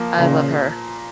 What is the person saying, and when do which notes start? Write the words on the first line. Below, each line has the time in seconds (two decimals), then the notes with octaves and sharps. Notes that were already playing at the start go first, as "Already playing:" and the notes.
I love her.
Already playing: F3 A#3
0.18 A#2 C#3